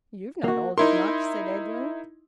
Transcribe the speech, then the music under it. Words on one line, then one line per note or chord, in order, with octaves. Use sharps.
"You've not altered much," said Edwin.
A#3 F#4
D#4 E4 A#4 C6